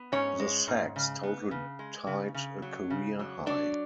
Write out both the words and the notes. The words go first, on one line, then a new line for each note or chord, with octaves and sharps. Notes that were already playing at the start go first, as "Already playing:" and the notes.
The sacks total tied a career-high.
Already playing: B3
G#2 C#4 C#5
G#3
G#2
C#3
B3
C#3
G#3
C#3
C#3
F#3
C#3
F#3
F#3 D4 D5